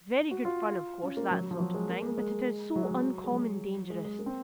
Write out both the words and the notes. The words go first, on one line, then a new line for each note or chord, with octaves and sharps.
It's very good fun, of course, that sort of thing; but it is so uncommon dangerous!
F#4
F4
C#4
A#3
F#3
F#3
F3
F#3
G#3
A#3
G#3
G#3
F#3
G#3
F#3
G#3
F#3
G#3
G#3
A#3
C4